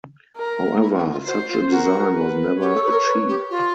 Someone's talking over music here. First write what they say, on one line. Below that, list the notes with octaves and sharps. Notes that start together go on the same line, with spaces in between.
However, such a design was never achieved.
A#4
E4
E4
F4
F#4 C5
F4
F#4 A#4
B4
G4 C#5
A4
B4
A#4
B4
G4
F4